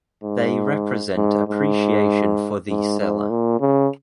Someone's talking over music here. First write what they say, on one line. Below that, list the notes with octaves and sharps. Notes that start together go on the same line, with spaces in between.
They represent appreciation for the seller.
G#2
G#2
G#2
G#2
G#2
A#2
C#3